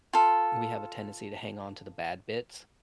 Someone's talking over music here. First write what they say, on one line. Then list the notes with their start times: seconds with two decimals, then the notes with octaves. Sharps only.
we have a tendency to hang on to the bad bits.
0.13 F4 A4